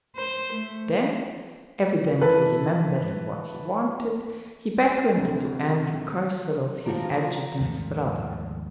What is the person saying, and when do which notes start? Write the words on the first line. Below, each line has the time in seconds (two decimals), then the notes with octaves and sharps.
Then, evidently remembering what he wanted, he beckoned to Andrew Kaysarov, his adjutant's brother.
0.16 C5
0.53 A3
2.21 E3 A4 B4
5.15 D2 C3
6.86 D3 D#3 F3 A#3 D4 F4 F#4 A#5
7.60 D#2 G#2 F3 A3